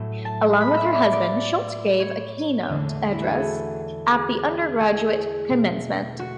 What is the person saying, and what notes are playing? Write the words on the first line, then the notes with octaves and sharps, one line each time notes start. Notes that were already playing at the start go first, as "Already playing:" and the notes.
Along with her husband, Schultz gave a keynote address at the undergraduate commencement.
Already playing: A2 F#3 A3
A5
B5
E5
D5
D5
C#5
E2 D3 A3
E4
F#4
G#4
A4
G#4
G#4
B2 A3
F#4